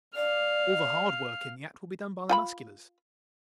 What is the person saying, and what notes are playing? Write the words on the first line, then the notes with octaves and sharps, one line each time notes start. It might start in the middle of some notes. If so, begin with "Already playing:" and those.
All the hard work in the act will be done by Musculars.
D5 F5
F4 G5 B5